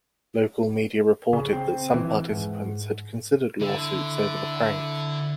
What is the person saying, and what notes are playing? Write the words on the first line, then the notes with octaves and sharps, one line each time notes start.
Local media reported that some participants had considered lawsuits over the prank.
C#3
C4
E3
G#2
D3 E4